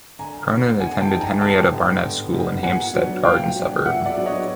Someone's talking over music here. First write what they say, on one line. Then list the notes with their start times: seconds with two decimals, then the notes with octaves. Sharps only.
Cronin attended Henrietta Barnett School in Hampstead Garden Suburb.
0.19 D3 G#5 A#5
0.50 G3 B3 D#4
0.80 D3 F#5 G#5
1.01 G5 A5
1.11 G3 B3 D#4
1.21 G#5 A#5
1.41 D3 G5 A5
1.72 G3 B3 D#4
2.02 D3
2.33 G3 B3 D#4
2.63 A#2 F#5 G#5
2.93 F#3 B3 D4
3.24 A#2 F5 G5
3.55 F#3 B3 D4
3.85 A#2 E5 F#5
4.06 D5 E5
4.16 F#3 B3 D4
4.26 C#5 D#5